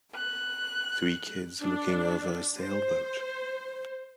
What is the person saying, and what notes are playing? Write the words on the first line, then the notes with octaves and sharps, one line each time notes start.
Three kids looking over a sailboat.
F#6
D4
C5